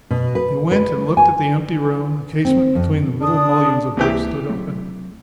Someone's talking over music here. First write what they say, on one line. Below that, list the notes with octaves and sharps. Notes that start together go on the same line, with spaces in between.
They went and looked at the empty room, the casement between the middle mullions of which stood open.
B2
B4
B4
G#5
C4
F2
D4 D#6
C#2 C3 E3 A#3 G4
F#3 A3 C4